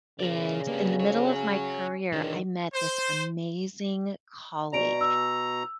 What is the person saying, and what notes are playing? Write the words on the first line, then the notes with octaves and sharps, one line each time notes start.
and in the middle of my career, I met this amazing colleague.
C#3 A#4 D5
G2 A#3 B3
F2 F#4 C#5
C#4
C#2 D#3 E3 D4
C5
B2 D5 A#5 D7 F7
E6